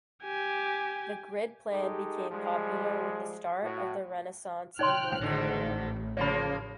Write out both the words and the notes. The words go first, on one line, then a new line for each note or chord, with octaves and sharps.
The grid plan became popular with the start of the Renaissance in Northern Europe.
G4 G#5
G#3 D#4 G4 A4
F3 G3 G#3
A2 F#4
D#4 C#5 G5 C6 F6 F#6
A1 G#2 D3 D#3
C#3 F3 A#3 C#5 B5